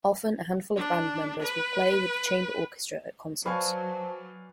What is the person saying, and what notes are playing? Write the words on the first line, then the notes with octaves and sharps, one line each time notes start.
Often, a handful of band members will play with the chamber orchestra at concerts.
D4
B4
F#3 B4 C5 D5 F5 G#5 A5 C#6